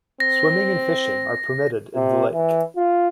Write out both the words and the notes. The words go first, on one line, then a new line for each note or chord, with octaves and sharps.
Swimming and fishing are permitted in the lake.
C4 A#6
C3
E3
F4